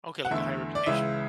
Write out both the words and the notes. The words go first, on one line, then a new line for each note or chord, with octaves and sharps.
Okay, like, a high reputation?
F#5
E2 D3 A3 E4 E5
D5
C#2 C#3 E3 G#3 E5